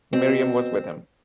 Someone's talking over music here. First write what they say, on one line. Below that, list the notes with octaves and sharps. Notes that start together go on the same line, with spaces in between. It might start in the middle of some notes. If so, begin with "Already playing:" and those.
Miriam was with him.
B2 C4